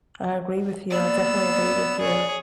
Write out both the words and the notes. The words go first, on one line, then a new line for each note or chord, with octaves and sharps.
I agree with you, I definitely agree with you.
A#3 B3 D5 E6
G#4 C#5